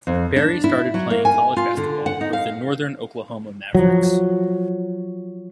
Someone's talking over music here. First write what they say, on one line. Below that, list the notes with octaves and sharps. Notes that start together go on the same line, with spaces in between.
Barrie started playing college basketball with the Northern Oklahoma Mavericks.
F2
D4
E4
F#3
A#3
G#5
F4
D3
F#5
D#4
F5
F3 F#3